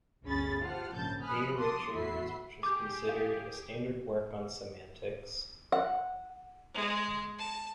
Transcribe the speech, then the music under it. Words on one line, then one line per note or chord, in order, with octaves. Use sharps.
A. Richards, which was considered a standard work on semantics.
G1 D2 C#4 G#4 B5 A6
F4 G4 C5 F#5 A5 F6
A#1 G#2 C#3 A5 G6 A6
G#5 B5 D#6 F6 F#6
A5 C6 D6 D#6
E2 F#4 E5 B5 C7
G4 G#4 D6 G6
F5
F#5
G#3
A5